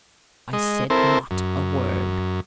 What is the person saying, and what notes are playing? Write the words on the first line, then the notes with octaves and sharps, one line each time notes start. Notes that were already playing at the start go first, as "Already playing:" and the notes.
I said not a word.
G#3 D#5
C4 E4 A4 A#4 C5
F#2